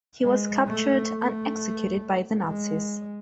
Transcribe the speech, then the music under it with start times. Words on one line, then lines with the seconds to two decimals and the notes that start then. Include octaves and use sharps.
He was captured and executed by the Nazis.
0.24 G#3
0.68 A3
1.12 A3
2.45 G#3